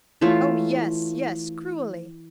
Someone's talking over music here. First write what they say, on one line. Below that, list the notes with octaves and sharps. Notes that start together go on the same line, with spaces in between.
"Oh, yes, yes, cruelly!"
E3 A3 F4 C#5